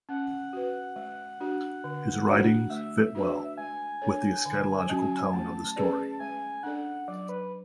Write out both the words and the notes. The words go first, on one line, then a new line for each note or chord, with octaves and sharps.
His writings fit well with the eschatological tone of the story.
C#4 F#5
F#4 B4
G#3
D4 F#4
D3
A3 D4 F#4
A3 E5
D4 F#4 B4 D5
G#3 G#5
D4 A4 C#5
D3
F#3 C#4 F#4
A3 A5
C#4 G#4 B4 D5
G#3 G#5
D4 A4 D5 F#5
F#3 D5
B4